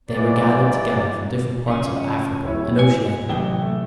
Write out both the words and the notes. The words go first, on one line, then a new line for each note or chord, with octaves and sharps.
They were gathered together from different parts of Africa and Oceanica.
G#2 E3 F#3 D5
C#3 F3 C#4
D1 E4 C#5
G#5 C#7
A1 C3 F#3 E4 G5 G7
A3